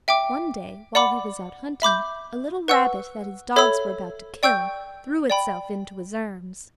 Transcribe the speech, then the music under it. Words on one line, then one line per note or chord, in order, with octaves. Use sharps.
One day while he was out hunting, a little rabbit that his dogs were about to kill, threw itself into his arms.
E5 G5 D6
D5 F#5 B5 D6
E5 B5 D6 G6
B4 F#5 C#6 E6
A4 C#5 E5 B5 E6
D5 G5 C#6 E6 G6
D5 G5 B5